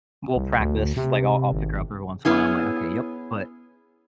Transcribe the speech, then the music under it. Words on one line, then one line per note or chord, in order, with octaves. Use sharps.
we'll practice, like I'll I'll pick her up every once in a while, I'm like, "Okay, yep," but
C2
D2
C3
G#1
B3 C#4 E4 G#4